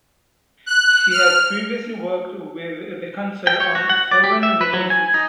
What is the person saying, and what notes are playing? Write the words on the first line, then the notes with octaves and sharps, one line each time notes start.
She has previously worked with the Council on Foreign Relations.
F#6
F6
G5
C#5
F#4
F#5
D5
G4
E5
B4
F#3
G#5
D#4